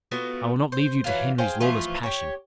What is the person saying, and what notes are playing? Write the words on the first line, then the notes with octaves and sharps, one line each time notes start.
"I will not leave you to Henry's lawless passion."
A3 B3 F4 F#4
C5
E3 F#3 F4
G#4 C5 F5 G5
E3 F3 A3 F4
G4 C#5